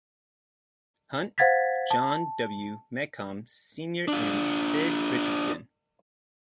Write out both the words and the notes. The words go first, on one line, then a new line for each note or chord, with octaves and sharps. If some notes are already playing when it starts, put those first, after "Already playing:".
Hunt, John W. Mecom, Senior and Sid Richardson.
C5 F5 F#5 G#6 A6 B6
A5
D4 F4